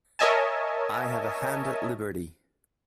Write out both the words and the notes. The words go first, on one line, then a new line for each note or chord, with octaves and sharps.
I have a hand at liberty.
A#4 C#5 D#5 E5 G#5 A5